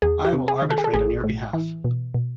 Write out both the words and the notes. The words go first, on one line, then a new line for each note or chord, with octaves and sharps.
I will arbitrate on your behalf.
E2 G#4
G4
C3
G#4
D#3
A4
G#4
A4
A1 G#4
A2
E3
B2
B2